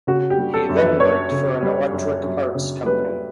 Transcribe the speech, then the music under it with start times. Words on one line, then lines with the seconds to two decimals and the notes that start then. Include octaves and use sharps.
He then worked for an electric parts company.
0.07 C#3 F#4
0.30 G4
0.38 G3
0.54 A4
0.69 F#2
0.77 B4
1.00 F#2 C#5
1.31 C#3
1.63 G3
1.93 F#2
2.24 F#2
2.55 C#3
2.86 G3 B4